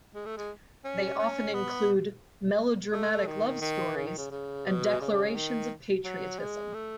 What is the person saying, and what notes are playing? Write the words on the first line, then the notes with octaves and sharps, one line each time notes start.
They often include melodramatic love stories and declarations of patriotism.
G#3
A3
G#3
C#4
C#4
B3
A3
D#3
D#3
C#3
D#3
C#3
C#3
B2
C#3
D#3
F#3
G#3
A3